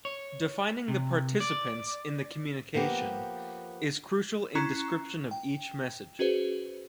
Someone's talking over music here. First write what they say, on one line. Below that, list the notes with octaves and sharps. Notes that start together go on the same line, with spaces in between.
Defining the participants in the communication is crucial in description of each message.
C#5
C3
D5
F3 A#3 B3 G4
C#4 E4 A#5 C#6 F#6 C7
G5
C#4 F#4 G#4 B4 C5